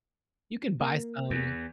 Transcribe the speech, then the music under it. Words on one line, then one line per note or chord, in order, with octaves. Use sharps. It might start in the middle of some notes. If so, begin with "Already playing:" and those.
you can buy some
A#3
E2